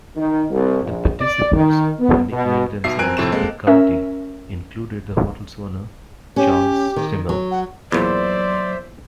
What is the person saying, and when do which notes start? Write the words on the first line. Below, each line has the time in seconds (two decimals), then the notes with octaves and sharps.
The participants, who nicknamed themselves "the committee", included the hotel's owner, Charles Schimmel.
0.16 D#3
0.50 C2
0.84 A#1
1.20 D5
1.54 D#3
1.99 B3
2.31 B2
2.84 B1 B2 E5 C7
2.99 F2 C4 A#4 G#5 F#6 D7
3.17 F2 A2 C3 A3 C4 E7
3.32 G#3 A#3 C4 A4
3.67 C#4 A#4 E5
6.36 C#4 G4
6.96 D#3
7.29 F#3
7.51 F#5
7.92 E2 A#2 F#3 C5 D5 E5